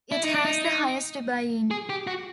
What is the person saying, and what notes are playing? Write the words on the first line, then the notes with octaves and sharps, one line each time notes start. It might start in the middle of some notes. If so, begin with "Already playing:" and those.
It has the highest buy-in.
E4
D#4
D4
D#4
G#4
G4
F#4